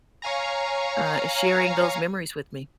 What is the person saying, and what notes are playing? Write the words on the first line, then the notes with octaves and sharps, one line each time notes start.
uh, sharing those memories with me.
C#5 F5 G#5 A#5